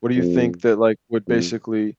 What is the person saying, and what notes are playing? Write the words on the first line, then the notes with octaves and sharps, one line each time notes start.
What do you think that, like, would basically
F2
F2